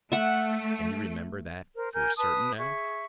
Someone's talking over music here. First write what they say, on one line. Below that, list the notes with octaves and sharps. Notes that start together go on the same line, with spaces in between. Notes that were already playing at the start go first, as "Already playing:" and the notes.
"And you remember that for certain now?"
A3 E5 F#5
A#4 C5
A#4 G#5 G6
B4 A5 D#6
G#4 E5 C#6